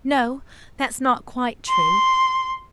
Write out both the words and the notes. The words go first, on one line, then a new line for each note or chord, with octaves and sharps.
No! that's not quite true.
C6